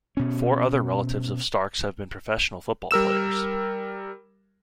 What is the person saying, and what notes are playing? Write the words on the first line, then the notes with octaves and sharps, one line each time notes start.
Four other relatives of Starks have been professional football players.
B2 C#4
G3 A#4 E6 E7